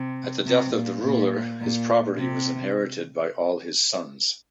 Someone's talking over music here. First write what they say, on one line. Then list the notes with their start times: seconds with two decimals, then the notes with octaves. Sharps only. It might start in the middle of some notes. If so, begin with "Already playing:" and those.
At the death of the ruler his property was inherited by all his sons.
Already playing: C3
0.46 C3
0.74 A#2
1.03 A#2
1.61 A#2
2.18 C3